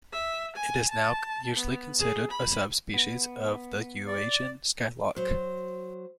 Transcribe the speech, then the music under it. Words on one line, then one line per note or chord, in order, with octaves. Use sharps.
It is now usually considered a subspecies of the Eurasian skylark.
E5
G#5
A5
B3
G#4
B5
B3
D5
F#3 C5